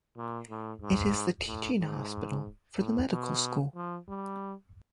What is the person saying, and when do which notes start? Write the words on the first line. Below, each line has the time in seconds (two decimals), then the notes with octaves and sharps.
It is the teaching hospital for the medical school.
0.17 A#2
0.50 A2
0.82 G#2
1.47 A2
1.80 G#2
2.78 A2
3.11 B2
3.76 F3
4.08 G3